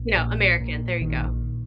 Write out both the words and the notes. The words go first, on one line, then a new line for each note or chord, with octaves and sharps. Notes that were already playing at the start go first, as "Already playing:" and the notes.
you know, American. There you go.
Already playing: A#1
A#2
A#2
A#1 D#3